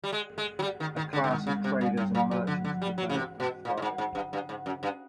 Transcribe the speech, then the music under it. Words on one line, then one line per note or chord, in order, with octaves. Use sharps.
A class of traders and merchants developed and thrived.
G3
G#3
G#3
F#3
G3
D#3
D#3
D3
D3
D#3
C#3
C3
A#2
A2
A#2
B2
D3
D3
G3
F#3
C#3
C3
B2
A#2
A2
G#2
G#2
G2
G2
G#2
F#2
G2